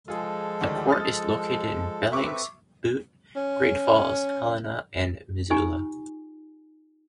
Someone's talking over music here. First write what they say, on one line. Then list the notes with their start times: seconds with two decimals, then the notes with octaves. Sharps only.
The court is located in Billings, Butte, Great Falls, Helena and Missoula.
0.08 F3 G#3 F4 G#4 A4
0.61 D2 D#3 D5
0.88 D#6 F6 A6
2.12 C4 A4 B4 E5 C#6 D6
3.36 C#4
5.50 D#4 F4 G4 G#5